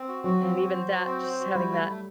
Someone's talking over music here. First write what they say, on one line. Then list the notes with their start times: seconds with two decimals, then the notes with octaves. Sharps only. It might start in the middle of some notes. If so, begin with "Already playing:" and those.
and even that, just having that,
Already playing: C4
0.08 F#4
0.24 F#3 F#4
0.40 C4
0.57 F#4
0.73 C5
0.90 F#4
1.06 C4
1.23 C5
1.39 F#4
1.55 G3 E4
1.72 A3
1.88 A3